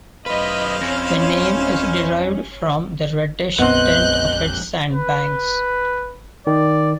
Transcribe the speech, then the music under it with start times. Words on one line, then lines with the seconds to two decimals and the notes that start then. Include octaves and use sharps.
The name is derived from the reddish tint of its sandbanks.
0.26 F#2 E4 B4 C5 D#5 F5 B5
0.81 F2 C#4
3.58 A#1 F2 B3 C4 D#5 F#6 G6
4.93 B4
6.47 D#3 D5